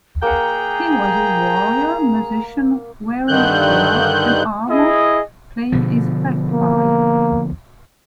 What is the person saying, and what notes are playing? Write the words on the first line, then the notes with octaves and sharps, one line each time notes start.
He was a warrior-musician wearing sword and armour, playing his bagpipe.
A#3 G#4 F#5 G5 A#5
G2 D3 D#3 F#6 G6
E4 G#4 D#5
B2 D3 F3
A#3